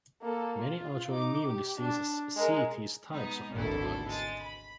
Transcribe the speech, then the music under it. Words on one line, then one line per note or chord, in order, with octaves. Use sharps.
Many autoimmune diseases see these types of antibodies.
A#3 A4
F4
D#4 D6
G4
D4
G#3 A#4
G#3 B3 D#4
G#1 D2 B2 E4 A4
G#3 A6
B5